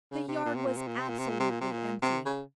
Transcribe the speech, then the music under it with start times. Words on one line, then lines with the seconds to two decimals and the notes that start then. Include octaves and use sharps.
The yard was absolutely empty.
0.11 C#3
0.28 C3
0.45 A#2
0.56 C3
0.66 A#2
0.77 C3
0.87 A#2
0.98 C3
1.09 A#2
1.19 C3
1.29 A#2
1.40 C3
1.50 A#2
1.61 C3
1.72 A#2
2.02 C3
2.25 C#3